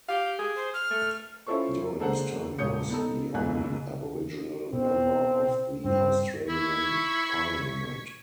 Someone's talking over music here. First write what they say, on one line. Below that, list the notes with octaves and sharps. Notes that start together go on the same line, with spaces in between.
During his term he was the only Aboriginal member of the Australian Parliament.
G4 F5
G#4
C5
F6
A3
C#4 E4 F4 A4 C5 C#6
G#3 A#3 D4 A4 C5 F#5
E1 A#2 C#5 D#6 G6 C#7
B3 D#4 A4
F#1 C#2 B2 D3 G#5 F#6
B2 C4
G2 C4
E4 C#6 G#6 B6